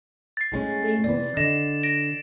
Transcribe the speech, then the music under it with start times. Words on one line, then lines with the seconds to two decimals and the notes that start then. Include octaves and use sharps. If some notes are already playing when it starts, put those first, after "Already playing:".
They know something.
0.37 A6 C7
0.52 A2 G#3 C#4
1.04 C3 E3 D5
1.37 D3 D#5 E7
1.83 A#6 D7